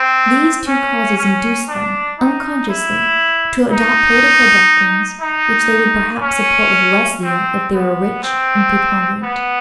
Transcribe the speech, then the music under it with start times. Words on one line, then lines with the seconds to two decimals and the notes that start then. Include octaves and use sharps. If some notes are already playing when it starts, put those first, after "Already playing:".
These two causes induce them, unconsciously, to adopt political doctrines, which they would perhaps support with less zeal if they were rich and preponderant.
Already playing: C4
0.67 C#4
1.18 C#4
1.68 D4
2.20 D#4
2.69 E4
3.70 D#4
5.21 D#4
6.22 C#4
7.23 C4
7.73 B3
8.23 C4
9.23 B3